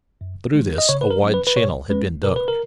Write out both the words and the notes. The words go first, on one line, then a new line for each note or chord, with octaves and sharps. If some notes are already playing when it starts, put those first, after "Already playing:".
Through this a wide channel had been dug.
F#2
D#3 G#3
D#5
C#3 C#5
B4
A#4
F#3 C#4
B4
B4
B2 C#5
G#3 C#4 B4
B2 A#4
B4
A#4